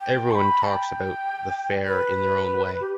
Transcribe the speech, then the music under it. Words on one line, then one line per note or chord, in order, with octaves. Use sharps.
Everyone talks about the fair in their own way.
G5
C#6
B5
A5
G5
B4
G4